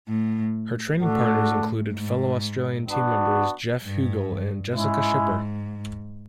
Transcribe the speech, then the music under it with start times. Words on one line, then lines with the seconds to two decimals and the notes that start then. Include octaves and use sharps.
Her training partners included fellow Australian team members, Geoff Huegill and Jessicah Schipper.
0.09 A2
1.02 A2 D4 F#4 A4
1.94 G#2
2.88 B3 D4 F#4
3.81 G2
4.73 G#2 G#3 C#4 E4
5.20 G#2